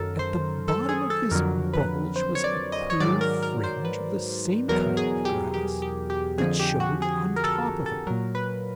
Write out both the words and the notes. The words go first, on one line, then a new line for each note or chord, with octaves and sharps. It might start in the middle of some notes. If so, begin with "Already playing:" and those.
At the bottom of this bulge was a queer fringe of the same kind of grass that showed on top of it.
Already playing: F#2 D#3 F#3 A4 A#4
C5
A4
G#4
A4
F2 D3 F#3 A#4
B4
C5
C#5
D5
D#5
C#5
G#2 D#3 F#3 D5
A#4
A#4
C5
B4
E2 B2 F#3 A#4
G#4
G4
G4
G4
G4
F2 D3 F3 G#4
G4
F#4
G#4
A#4
A4
A4
A#2 F#3 A#4
B4